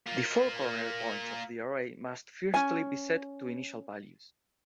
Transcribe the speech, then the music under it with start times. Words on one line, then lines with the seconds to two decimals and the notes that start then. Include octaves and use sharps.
The four corner points of the array must firstly be set to initial values.
0.06 A#3 F4
2.54 C#4 G#5